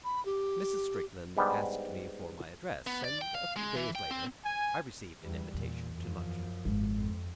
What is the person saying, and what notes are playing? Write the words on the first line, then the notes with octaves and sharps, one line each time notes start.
Mrs. Strickland asked me for my address, and a few days later I received an invitation to luncheon.
B5
G4
G#2 G3 B3 D4
B3
D5
G5
F5
G#3
E3
G5
C4
G#5
E2 G3
E2 A#2
F#2 F3
G#1
F2